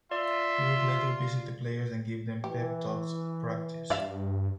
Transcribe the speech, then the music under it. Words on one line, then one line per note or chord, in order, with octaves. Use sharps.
He would later visit the players and give them "pep" talks at practice.
F4 D5 E5 C6
E3 G4
G2 D5 E5 F5